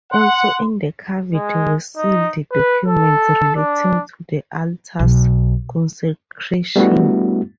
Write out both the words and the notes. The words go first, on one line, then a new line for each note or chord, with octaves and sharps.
Also in the cavity were sealed documents relating to the altar's consecration.
F#5 C6
G#3
D#4
B4
A4
D4
B1
G3 A3 B3 D4 E4 F#4